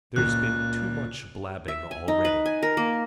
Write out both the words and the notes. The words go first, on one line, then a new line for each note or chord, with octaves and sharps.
"There's been too much blabbing already."
C#2 A#2 F#6
E5
G#5
D#4
B4
G#5
A#4
A#3